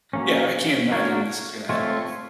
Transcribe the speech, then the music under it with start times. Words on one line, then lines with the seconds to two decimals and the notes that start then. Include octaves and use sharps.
yeah, I can't imagine this is gonna end well.
0.13 F#3 A#3 C#4
0.91 A#3 D4 F#4 A#4 C#5
1.69 A3 C4 F4 A4 C#5